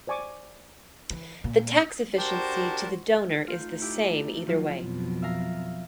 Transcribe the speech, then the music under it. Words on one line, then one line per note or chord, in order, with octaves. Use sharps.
The tax efficiency to the donor is the same either way.
C5 D5 G#5 C#6 D6
E3
A#2
D4 F#4 G4 A#4 C5 A5
A3 D#4 F4 G6
E4 G4
F3 F#3 F4
F2 B2
E5 F5 A#5